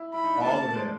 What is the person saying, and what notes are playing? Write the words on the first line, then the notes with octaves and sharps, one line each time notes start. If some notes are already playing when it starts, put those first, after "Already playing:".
All of it.
Already playing: E4
E4 B5
D#4
D4
A#3 A5
A3
A3
G#3